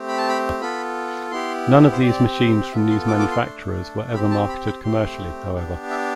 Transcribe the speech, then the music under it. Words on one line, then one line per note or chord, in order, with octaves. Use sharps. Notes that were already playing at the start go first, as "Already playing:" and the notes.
None of these machines from these manufacturers were ever marketed commercially, however.
Already playing: A3 C4 G4
B5
A5
B5
B3 F4 A4 B5
B3 E4 G4 C6
C5
C4 G4 D5
B3 F4 A4 E5
C6
D6
D6
C6
A3 D4 A4
C4 G4 B5
A5
B5
B5
A3 C4 G4 C6
B3 D4 G4
E5